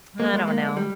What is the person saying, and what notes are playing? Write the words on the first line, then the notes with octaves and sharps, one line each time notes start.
I don't know.
A#3
G#3
A#3
G#3
G3